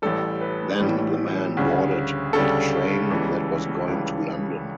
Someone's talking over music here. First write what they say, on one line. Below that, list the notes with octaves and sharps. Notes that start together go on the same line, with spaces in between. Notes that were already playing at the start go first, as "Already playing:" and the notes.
Then, the man boarded the train that was going to London.
A1 A2 E3 G3 A4
B4
A1 A2 E3 G3
D2 C#3 G3
D2 C#3 G3 A4
C#2 C#3 E3 G3
C#2 C#3 E3 G3